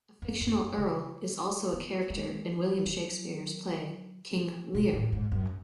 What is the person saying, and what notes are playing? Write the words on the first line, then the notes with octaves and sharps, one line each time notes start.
A fictional earl is also a character in William Shakespeare's play King Lear.
F#2
F#2
F#2
C#3
B3
G#3
F#3
B2
A2
G#2
F#2